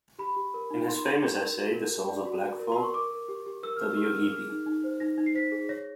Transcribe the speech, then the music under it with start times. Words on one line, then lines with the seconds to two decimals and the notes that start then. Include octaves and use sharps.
In his famous essay "The Souls of Black Folk", W. E. B.
0.19 G4 B5
0.36 G4
0.54 A#4
0.71 D#4
0.88 A#4 C6
1.05 G4
1.22 G4
1.39 A#4
1.57 F#4
1.74 A#4
1.91 A#4
2.08 D5
2.26 F#4
2.43 A#4
2.60 A#4
2.72 A#4 C6
2.83 C#6
2.94 A#4 D6
3.11 A#4
3.29 G4
3.46 G4
3.63 A#4 E6
3.77 G4 F6
3.91 E6
3.97 G4
4.04 F6
4.15 A#4 E6
4.32 G#4 F6
4.49 D#4
4.66 D#4
4.84 C5
5.00 D#4 A#6
5.18 D#4
5.26 C7
5.35 C5 B6
5.52 G#4
5.69 C#5 A#6